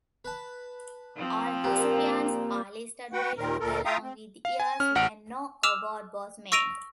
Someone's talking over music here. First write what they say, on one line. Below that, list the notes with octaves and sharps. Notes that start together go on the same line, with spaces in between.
All recipients are listed below, along with the years when no award was made.
B4 A5
F3 C4
A#2 A#3 G4 D5
F#4 B4 F#5 G5
D#2 A#2 D#3 A#4
D2 A#2 A4 A#4
F4 E5 F5 G5 A#5 D#6
C4
F5
G#5
C#4 F6
A1 F#5 F6 D7
D6 E6 F6 E7 F7
C#6 E6 A#6 D7 D#7 F7